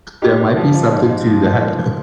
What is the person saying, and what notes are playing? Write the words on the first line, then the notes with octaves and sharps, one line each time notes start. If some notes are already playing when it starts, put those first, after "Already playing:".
there might be something to that.
G#2 G4
G#2
F3
F3
G#2
G#2
F3
F3
G#2